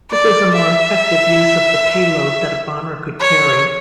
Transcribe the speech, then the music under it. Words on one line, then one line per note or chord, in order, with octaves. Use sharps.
This is a more effective use of the payload that a bomber could carry.
D5
E5
C#5